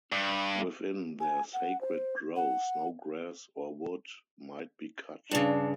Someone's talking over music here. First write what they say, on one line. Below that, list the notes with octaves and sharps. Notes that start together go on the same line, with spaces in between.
Within their sacred groves no grass or wood might be cut.
G2
G#5
F#5
C5
F#5
G2 C#3 D4